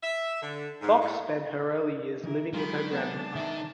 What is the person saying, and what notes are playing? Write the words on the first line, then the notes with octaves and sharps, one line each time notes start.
Fox spent her early years living with her grandfather.
E5
D3
G#2
A2
D#3 E3 E4 A#4
D#3 F#3 G#3 F4 G4 A#4 F5 B5
B3 D4 G#4 A5
D#3 D#4 E5